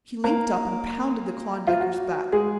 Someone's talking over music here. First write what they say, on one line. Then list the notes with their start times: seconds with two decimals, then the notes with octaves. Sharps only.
He leaped up and pounded the Klondiker's back.
0.24 A#3 A#4
1.67 F4
1.80 F#4
2.32 G#3 G#4